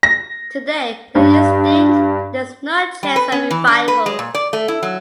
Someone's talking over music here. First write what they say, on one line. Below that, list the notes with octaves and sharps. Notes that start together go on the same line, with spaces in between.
Today they are extinct and there is no chance of revival.
A#6
G2
G3
B4
C#4
E3
D4
B4
G#3
A#2
D5
A3
E4
F#3